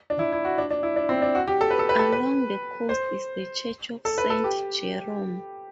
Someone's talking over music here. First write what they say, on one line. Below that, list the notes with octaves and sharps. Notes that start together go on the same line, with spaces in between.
Along the coast is the church of Saint Jerome.
D4
E4
E4
F#4
D4
D4
E4
D4
C4
D4
F#4
G4
A4
B4
A4
B4
A4
B4
C5
A4
B4
A4
G4